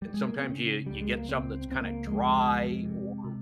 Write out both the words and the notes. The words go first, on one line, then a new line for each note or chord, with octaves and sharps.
and sometimes you you get something that's kinda dry or
G3
G#3
A#3
C4
C#3 C#4
C#2 G3
G#3
A#3
C#2 C4
C4
C#2 C4
A#3
F2 G#3
F2
C3
C3